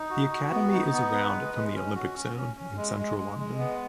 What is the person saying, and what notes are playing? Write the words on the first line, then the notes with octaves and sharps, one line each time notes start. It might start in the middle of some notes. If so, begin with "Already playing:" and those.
The academy is around from the Olympic Zone in central London.
Already playing: D#4
F#4
F#4
B3
D#4
B3
B4
G#3
G#3
C#4
F#4
C#4
C#4
C#4
G#3
G#3
G#3
G#3
B3